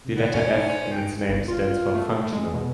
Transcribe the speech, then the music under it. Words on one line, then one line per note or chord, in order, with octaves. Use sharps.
The letter 'F' in its name stands for "functional".
C3
D#3 B3 D5
C#4
D#4
C#4 C5
D#4 G5 D7
G1
F4
A3
G#3
B2